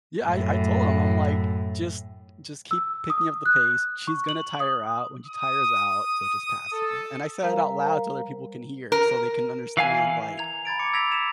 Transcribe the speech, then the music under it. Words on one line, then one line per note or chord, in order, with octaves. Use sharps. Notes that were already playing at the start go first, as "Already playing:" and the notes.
Yeah, I I told him, I'm like, "Just just keep picking up the pace. She's gonna tire out. When she tires out, so, just pass her." And I said it out loud so other people can hear, so they can understand, like,
F#2 A2
E6
D#6
F#6
C#6
F#7
D#6
D#6
A4
G3 A#4 C5 F5 A#5
A#4
E3 F5 G#5
A#5 G#6 F7
B5 G#6 A6 D7
D6 C#7
E6 G#6 A#6 B6 D7 F7
E7